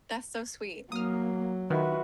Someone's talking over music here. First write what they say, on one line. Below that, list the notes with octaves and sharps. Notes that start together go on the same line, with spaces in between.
That's so sweet.
F#3 A#3 D#6 F6
D#3 F4 F#4 B4 E5 B5